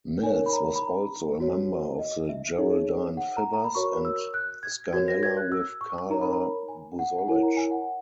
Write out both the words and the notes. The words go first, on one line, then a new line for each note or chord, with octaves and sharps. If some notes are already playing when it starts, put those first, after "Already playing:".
Nels was also a member of the Geraldine Fibbers and Scarnella with Carla Bozulich.
D#4 A#4 C#5 G#5
B5
A#5
B5
A#5
F#4 C#5
D#5
E5
D#4 G#4 C#5
F#5
A#5
A#5
B5
F#4 A#4 C#5 C#6
E6
F#6
G#6
F#4 A#4 C#5 G#6
A#6
G#6
F#6
E6
C#6
D#4 A#4 C#5 A#5
B5
A#5
G#5
F#5
F#5
E4 A#4 C#5 G#5
A#5
G#5
F#5